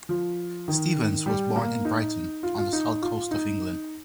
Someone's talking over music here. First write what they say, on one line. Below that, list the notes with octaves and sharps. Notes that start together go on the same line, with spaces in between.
Stevens was born in Brighton on the south coast of England.
F3
D#3
G3
A#3
D#4
F4
F4
D#4
F4
D#4